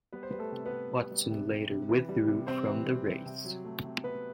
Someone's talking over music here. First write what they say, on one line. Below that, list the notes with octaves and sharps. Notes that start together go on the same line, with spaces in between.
Watson later withdrew from the race.
G3 B3 B4
C5
G3 B4
A3 A4
C3
B3 B4
C3
G3
G3
C3
C3
C3
E3
G3
C3
C3 C4 C5
E3
G3
C3
C3
F#3
A3
C3
C3 B3 B4